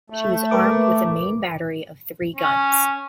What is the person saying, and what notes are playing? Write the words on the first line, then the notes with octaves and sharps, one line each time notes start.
She was armed with a main battery of three guns.
A3
A#4 B4 D6
C#4